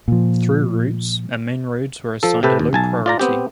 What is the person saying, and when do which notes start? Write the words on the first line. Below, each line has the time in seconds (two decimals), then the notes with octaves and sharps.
Through-routes and main roads were assigned a low priority.
0.08 A#2 F3
2.23 F3 A4
2.43 C3 G4 A4 B4
2.59 D#2
2.73 B1 G#5 A5
3.06 F4 D5 A#5
3.19 B3 C4 G4